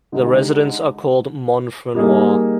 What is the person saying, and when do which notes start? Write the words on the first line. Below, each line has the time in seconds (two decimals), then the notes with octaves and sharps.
The residents are called "Montfrinois".
0.12 D3 G#3 D#4 G4
1.95 G3 A#3 D#4 G#4